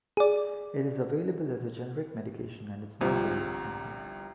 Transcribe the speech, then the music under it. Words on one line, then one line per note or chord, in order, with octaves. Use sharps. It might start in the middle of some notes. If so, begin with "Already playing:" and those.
It is available as a generic medication and is not very expensive.
G#4 D5
G1 C2 C3 F3